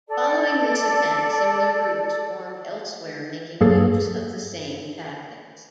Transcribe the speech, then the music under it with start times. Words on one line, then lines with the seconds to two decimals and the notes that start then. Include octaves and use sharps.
Following this event, similar groups formed elsewhere making use of the same tactics.
0.07 A4 D5
3.61 G2 F#3 A#3 G#4 A4 A6